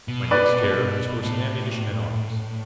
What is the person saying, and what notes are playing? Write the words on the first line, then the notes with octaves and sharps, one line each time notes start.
My next care was for some ammunition and arms.
B2
B4 D5
A2